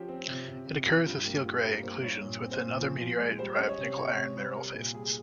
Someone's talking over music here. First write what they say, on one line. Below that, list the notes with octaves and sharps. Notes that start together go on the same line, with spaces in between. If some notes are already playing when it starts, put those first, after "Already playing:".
It occurs as steel gray inclusions within other meteorite derived nickel iron mineral phases.
Already playing: F3 C#4 G4
C4
C3
C3
C3
F3
G2 F4
G4
A#3
G4
A#3 F4
G4
G2 A#4
A#3 C5
G2 C#5
A#2
C4
C5
A#2
F3
F3
G#3
G3 C5
C#4 D#5
C#5
C3
C3 C#5
C3
G3
G3 A#4
A#2
G3 G#4